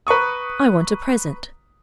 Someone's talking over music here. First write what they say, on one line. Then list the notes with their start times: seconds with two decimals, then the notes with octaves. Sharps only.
I want a present.'
0.07 B4 A#5 C#6 D#6